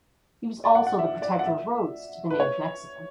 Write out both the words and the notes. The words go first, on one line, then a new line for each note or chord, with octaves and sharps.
He was also the protector of roads to the native Mexicans.
D5
F#5
F#5
E5
D5
F#5
E5
B4
C#5